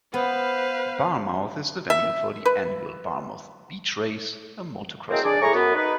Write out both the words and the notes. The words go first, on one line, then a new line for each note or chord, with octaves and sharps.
Barmouth is the venue for the annual Barmouth Beach Race, a motocross event.
B3 B4 C5 F5
E5
B4
A2 F#3 G#3 A#3 C4
D4 G#4 D5
A2 G#4 A#5 C#6
F#2 B3
D#4 B4